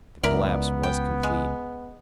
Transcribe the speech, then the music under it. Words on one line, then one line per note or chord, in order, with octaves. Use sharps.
The collapse was complete.
C#2 B3 E4 A#4 D5
G5
G#3